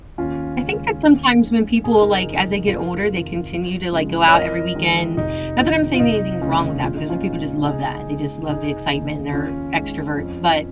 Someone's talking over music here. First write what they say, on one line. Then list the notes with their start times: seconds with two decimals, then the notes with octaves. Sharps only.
I think that sometimes when people, like, as they get older, they continue to, like, go out every weekend not that I'm saying anything's wrong with that because some people just love that, they just love the excitement and they're extroverts, but,
0.18 D#2 C#4 F4
0.60 C#3 G#3
1.01 D#2
1.43 D#3 G#3
1.84 F1 G#4
1.93 A#4
2.01 D#4 G#4
2.26 F2 C#3 F3
2.67 F1 F4 A#4
3.09 F2 D#3
3.51 F2
3.92 C#3 F3 G#3
4.28 C#5
4.33 F2 A#4 D#5
4.75 D#3 G#3
5.17 F1 D#4
5.59 F2 D#3 D#4
5.94 F4
6.00 F1 D#4
6.41 D#2 C#3 G#3 C#4 F4
6.83 A#1 F4
6.97 D#4
7.09 C#4 F4
7.25 A#2 G#3
7.66 C#2 D#4 G#4
8.08 C#3 G#3
8.49 F1 D#4 G#4
8.91 D#2 C#3
9.32 D#2 C#4 F4
9.73 D#3 G#3
10.16 F2